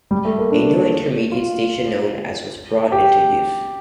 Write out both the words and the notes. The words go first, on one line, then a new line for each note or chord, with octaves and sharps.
A new intermediate station known as was brought into use.
G3
A3
A#3
D4
F4
G4